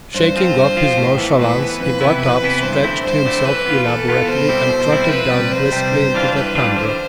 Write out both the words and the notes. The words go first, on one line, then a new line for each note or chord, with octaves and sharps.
Shaking off his nonchalance, he got up, stretched himself elaborately, and trotted down briskly into the tundra.
G2 C5
F3 C4 F4
G2
F3 C4 F4
A2
E3 B3
A2 B4
E3 B3
F2 B4
C3 E3 B3 E4
F2 B4
C3 E3 B3 E4
G2 C5
D3 A3 C4 E4
G2 C5
D3 A3 C4 E4
E3 B4
B3 F4
E3 A4
B3 F4
B2 C5
G3 C4 E4
B2
G3 C4 E4
F2 B4
C3 G3
F2 C5
C3 G3
G2
E3 G3 D4 F4
G2 B4
E3 G3 D4 F4
D3 C5